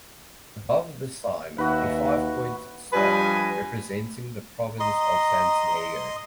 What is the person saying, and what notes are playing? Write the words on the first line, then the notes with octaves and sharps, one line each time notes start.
Above this sign, a five pointed star, representing the Province of Santiago.
D#2 D#4 F#4 B4 E5
G2 F3 G3 B4 D#5 G#5
D#5 A#5 C6